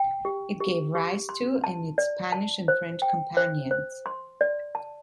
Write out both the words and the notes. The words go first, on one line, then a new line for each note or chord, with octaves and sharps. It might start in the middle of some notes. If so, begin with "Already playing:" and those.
It gave rise to and its Spanish and French companions.
Already playing: G5
G4
G4
G4
C6
A5
D5
A5
C5
G5
C5
C5
C6
D5
A5